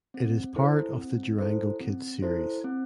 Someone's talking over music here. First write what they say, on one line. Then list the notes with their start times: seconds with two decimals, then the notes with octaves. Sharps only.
It is part of the Durango Kid series.
0.14 C4
0.56 E4 A4 C5
0.98 C4
1.39 E4 A4 C5
1.81 C4
2.22 E4 A4 C5
2.64 C4